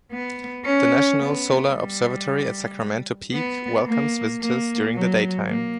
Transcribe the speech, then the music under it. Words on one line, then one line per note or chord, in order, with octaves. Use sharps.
The National Solar Observatory at Sacramento Peak welcomes visitors during the daytime.
B3
C#4
B3
G3
B3
A#3
A#3
F#3
A#3